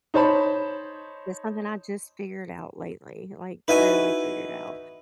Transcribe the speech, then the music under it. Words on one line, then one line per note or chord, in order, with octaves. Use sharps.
That's something I just figured out lately, like, really figured out.
D#4 C5 C#5 A5 B5
D#4 E4 F#4 B4 G#5